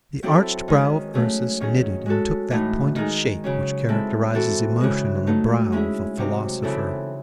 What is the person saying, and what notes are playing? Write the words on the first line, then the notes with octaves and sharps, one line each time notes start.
The arched brow of Ursus knitted and took that pointed shape which characterizes emotion on the brow of a philosopher.
F#3 C4 E4 A4
D#3 G#3 C#4 G#4
F#3 A3 C#4 G#4
D#3 F#3 C#4 G#4
G#3 C#4 F#4 A4
A2 E3 A3 D#4
D#3 G#3 D#4 G#4
C#3 F#3 C#4
G#3 C4 E4 A4
E3 C4 F#4 A4
C#3 E3 G#3
F#3 A3 D#4
G#3 C#4 E4 G#4
C3 F#3 C4 D#4
C#3 E3 C4 E4 A4